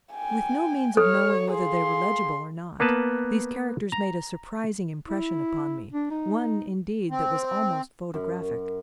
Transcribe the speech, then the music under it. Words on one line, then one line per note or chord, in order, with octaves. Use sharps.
With no means of knowing whether they were legible or not, these characters made a surprising impression upon me, one, indeed, that was almost photographic.
G5 G#5
A4 C#5 F6
G#4 F5 C6
A#3 B3 B4 A5
A#5
E4
D4
D#4
C4
F#2